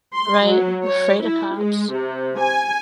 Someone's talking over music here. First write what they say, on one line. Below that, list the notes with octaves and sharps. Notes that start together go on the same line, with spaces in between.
Right, afraid of cops.
C6
F#3
C#5
E4
G#3
C3
G#5